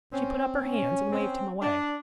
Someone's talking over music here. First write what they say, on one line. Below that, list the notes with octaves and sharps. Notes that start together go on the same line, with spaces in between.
She put up her hands, and waved him away.
C4 C#4
C#4
C4
D4